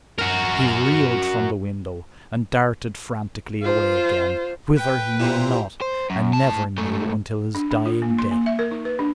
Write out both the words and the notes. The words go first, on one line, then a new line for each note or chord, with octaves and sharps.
He reeled from the window, and darted frantically away again.... whither, he knew not, and never knew until his dying day.
F#4 A#4
F4 C5
B4 G5
A#2 E4 G4 C5 G5 A#5
C5
F#2
A2 A5
G#2 A3
D4
D4
F4
A#3
C6
A#3
E5
A#4
D#4
B4
D4